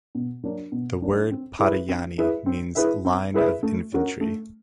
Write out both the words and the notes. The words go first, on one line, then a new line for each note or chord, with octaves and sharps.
The word Padayani means line of infantry.
B2
F#3 A#3 D4
B2
F#3 A#3 D4
C4
E4 G#4 B4 E5
C4
E4 G#4 B4 E5
C4
E4 G#4 B4 E5
C4
E4 G#4 B4 E5
A3
C#4 F#4 A#4
A3